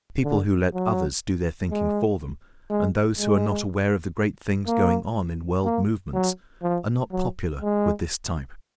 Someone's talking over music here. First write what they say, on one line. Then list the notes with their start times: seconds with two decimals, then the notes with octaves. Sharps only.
People who let others do their thinking for them and those who are not aware of the great things going on in world movements, are not popular with this type.
0.24 D3
0.74 F#3
1.71 G#3
2.70 G#3
3.19 G#3
4.67 A#3
5.65 A#3
6.13 F#3
6.62 F3
7.12 F#3
7.62 G#3